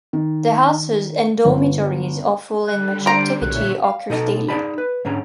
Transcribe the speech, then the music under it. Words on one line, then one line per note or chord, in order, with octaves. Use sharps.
The houses and dormitories are full and much activity occurs daily.
D#3
G1
D3 G3 F#6
C5 A#5 D7
B1 A#2 C#5 E5 F#6
F5
B2 D#4 A4 D#5 A5 A#5
D#4 E4 G#4 D5 A5 B5
B4
G#2 D3 C#4 A#5